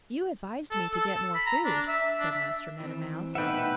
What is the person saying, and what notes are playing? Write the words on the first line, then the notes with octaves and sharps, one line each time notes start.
"You advised me to get more food," said Master Meadow Mouse.
A4
A4
B5
A#5
D4
E5
D4
E5
E3 C4
G2 B2 A3 D#4 B4 E5 F#5 G5